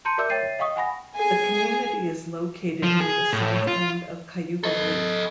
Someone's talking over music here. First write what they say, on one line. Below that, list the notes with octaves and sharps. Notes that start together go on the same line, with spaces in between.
The community is located near the south end of Cayuga Lake.
A5 A#5 C6 G6 C#7 D#7
A#4 D5 E5 D6 E6 G6
C#5 E5 G5 A6 C7 D#7
D#5 F5 G5 C#6 D#6
F#5 G#5 B5 A#6
G#4 G#5
F3
G#4
A2
F4
A4 D#5